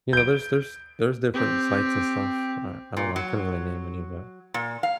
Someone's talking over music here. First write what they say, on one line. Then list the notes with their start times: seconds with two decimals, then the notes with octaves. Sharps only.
you know, there's there's there's different sites and stuff, I I don't know, I couldn't really name any of that.
0.13 G6 D7
1.34 C4 G4
2.97 A#2
3.16 F#3
4.54 A#2
4.83 F5